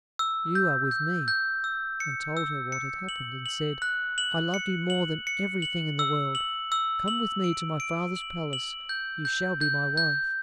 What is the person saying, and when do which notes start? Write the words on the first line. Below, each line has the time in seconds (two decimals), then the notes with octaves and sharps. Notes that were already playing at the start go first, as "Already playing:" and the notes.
"You are with me," and told her what had happened, and said, "I love you more than everything in the world; come with me to my father's palace; you shall be my wife."
0.19 E6
0.55 G6
0.91 G6
1.28 G6
1.64 E6
2.00 C#7
2.37 E6
2.72 C#7
3.09 F#7
3.46 F#7
3.82 F#6
4.18 F#7
4.54 C#7
4.90 F#7
5.27 C#7
5.62 F#7
5.99 E6
6.35 F#7
6.72 E6
7.08 F#7
7.44 D7
7.80 D7
8.16 F#7
8.53 F#7
8.89 G6
9.25 G6
9.61 G6
9.97 G6